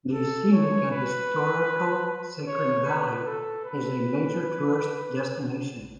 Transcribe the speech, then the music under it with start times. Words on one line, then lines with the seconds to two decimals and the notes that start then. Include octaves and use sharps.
The scenic and historical Sacred Valley is a major tourist destination.
0.13 A4
0.52 C#5
0.91 B4
2.47 C#5
2.86 B4
3.25 A4
3.65 B4